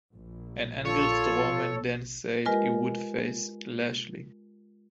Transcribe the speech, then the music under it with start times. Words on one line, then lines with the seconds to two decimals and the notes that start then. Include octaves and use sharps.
An angered Strowman then said he would face Lashley.
0.13 A#1
0.86 F4 A4 C#5
2.45 G#3 F4 G4 A#4 B4 D#5